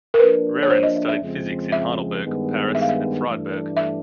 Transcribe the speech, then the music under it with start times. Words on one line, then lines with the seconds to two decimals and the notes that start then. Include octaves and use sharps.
Rehren studied physics in Heidelberg, Paris and Freiburg.
0.14 A#4
0.19 F3 A#3 D4 B4
0.62 C#5
0.70 C5
0.83 D#5
0.96 E5
1.09 E5
1.21 F2 C#3 F3 G#3 C4
1.72 E5
2.24 G2 D#3 G#3 B3
2.75 E5
2.81 F5
2.89 E5
3.26 G2 E3 A3 D4
3.77 E5